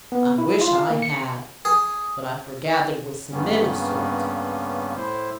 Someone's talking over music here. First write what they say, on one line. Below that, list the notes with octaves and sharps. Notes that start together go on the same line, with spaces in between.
'I wish I had; but I forgathered with some men of sorts.
B3
E4
F4
F5
A#3
C#7
G#4
G2 C#3 G3 A#3 B3 C#4
A2 E4 C5